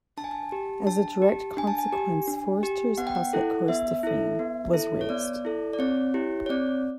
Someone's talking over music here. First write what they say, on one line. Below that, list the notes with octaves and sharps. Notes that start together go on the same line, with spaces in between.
As a direct consequence Forrester's house at Corstorphine was razed.
D4 A5
G#5
A5
G4
D4 A5
G4
D4 G#5
A5
G#5
G4
D4
G4
B3 F#5
G5
F#5
E4 A4
B3 E5
E4 A4
B3
E4 A4
C#5
B3 D5
E4 A4
D5
C4 C#5
E4 G4
C#5
C4 D5